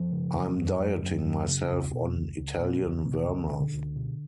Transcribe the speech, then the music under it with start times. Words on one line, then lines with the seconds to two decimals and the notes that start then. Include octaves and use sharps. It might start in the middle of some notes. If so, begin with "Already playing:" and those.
I'm dieting myself on Italian vermouth.
Already playing: F#2 F3
0.12 C#3
0.34 F#2
0.57 F#2
0.80 F#2
1.03 F#2
1.25 F#2
1.48 C#3
1.70 C#2
1.93 B2
2.15 C#2
2.38 C#2
2.60 B2
2.83 C#2
3.05 B2
3.28 C#2
3.51 B2 D3
3.73 C#2
3.96 B2